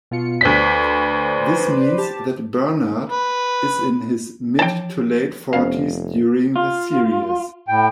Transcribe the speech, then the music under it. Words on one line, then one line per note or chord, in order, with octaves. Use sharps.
This means that Bernard is in his mid- to late-forties during the series.
B2 F4 C#7
D2 B4 C5 D5 B6
G4 A5
B4
E3 F3 G5 A5
F1 B3 C#4 C5 F5
F4
A2 G5